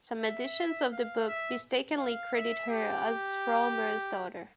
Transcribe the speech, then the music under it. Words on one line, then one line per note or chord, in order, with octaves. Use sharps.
Some editions of the book mistakenly credit her as Rohmer's daughter.
E5
F5
E5
F5
E5
G4